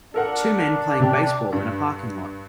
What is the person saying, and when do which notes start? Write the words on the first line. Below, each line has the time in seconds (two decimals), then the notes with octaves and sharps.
Two men playing baseball in a parking lot.
0.14 D4 A4 A#4 F#5
1.00 C3 G4
1.52 G2